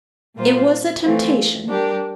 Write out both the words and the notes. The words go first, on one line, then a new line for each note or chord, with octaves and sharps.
It was a temptation.
A#2 G3 A#3 F4 C5
E3 A3 C4 F4
G3 D4 G4 A#4